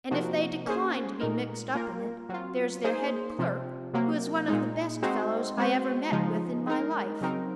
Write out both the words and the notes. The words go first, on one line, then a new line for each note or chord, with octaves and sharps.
And if they decline to be mixed up in it, there's their head clerk, who is one of the best fellows I ever met with in my life.
C3 F3 A#3 D#4 F#4
A#3 C#4 G#4 C5
A#2 G#3 D#4 A#4
A#3 F4 A#4
F#3 C4 F4
A#3 D#4 G#4 C5
C3 F3 C4
C3 F#3 A#3
A#2 G#3 D#4
G#3 C4 D#4 F#4 C5
G#3 C4 F#4 C5
C#3 F3 G#3 D#4
G#3 D#4 A#4
C#3 F#3 C4 D#4 A#4